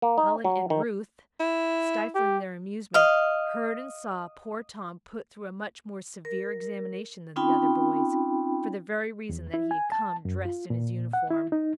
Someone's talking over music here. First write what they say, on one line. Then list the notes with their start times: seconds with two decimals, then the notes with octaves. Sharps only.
Helen and Ruth, stifling their amusement, heard and saw poor Tom put through a much more severe examination than the other boys, for the very reason that he had come dressed in his uniform.
0.02 A#3
0.18 D#4
0.44 F#3
0.70 D#3
1.40 E4
2.15 G4
2.94 D#5 F5
6.25 A#4
7.36 C4 C#4 D#4 F4 G5 B5
9.29 E2
9.54 E4
9.71 G#5
9.92 A5
10.25 F#2
10.45 F4
10.70 A#2
11.13 F#5
11.31 E4
11.52 D#4